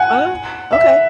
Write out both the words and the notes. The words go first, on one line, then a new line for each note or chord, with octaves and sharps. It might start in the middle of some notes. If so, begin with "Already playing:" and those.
Oh, okay.
Already playing: F#5 G#5
E5